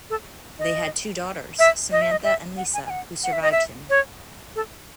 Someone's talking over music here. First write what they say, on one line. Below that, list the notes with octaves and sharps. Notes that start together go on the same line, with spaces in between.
They had two daughters, Samantha and Lisa, who survived him.
A4
D#5
E5
D#5
E5
D#5
E5
F#5
G#5
G#5
F#5
F#5
E5
D#5
E5
C#5
A4